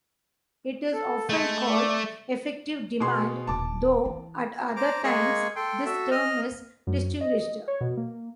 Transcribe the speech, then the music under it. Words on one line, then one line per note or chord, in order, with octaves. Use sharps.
It is often called effective demand, though at other times this term is distinguished.
A4
G#3 A3
D5
B2 G#4 C6
D#1 E2 A5 D6
E3
C5 A#5 D6
G#3 A#3 G#4 C#6
A4 G5 C6
F#4 A4 E5
D#5 F6
F#2
D#5
C#5
B2
A#3